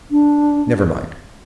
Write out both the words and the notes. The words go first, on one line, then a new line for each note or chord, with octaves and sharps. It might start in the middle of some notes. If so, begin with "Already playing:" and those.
Never mind.
D4